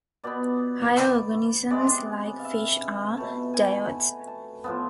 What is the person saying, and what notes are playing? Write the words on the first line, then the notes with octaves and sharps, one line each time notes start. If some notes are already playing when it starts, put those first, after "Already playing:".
Higher organisms like fish are diodes.
B2 B3 D5
D5
C3 G#3 B3 D5
F5
E5
B2 A3
G#5
A5
A2 F3 B3